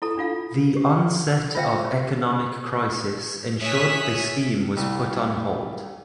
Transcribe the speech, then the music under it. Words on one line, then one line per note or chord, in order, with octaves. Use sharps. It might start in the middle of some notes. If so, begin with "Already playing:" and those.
The onset of economic crisis ensured the scheme was put on hold.
E4 A4 A#5
D4 F4 F5
G4
F4 A#4 C5 E5 F5 G5
C#5 E5 G#5 D#6 F#6 B6
C2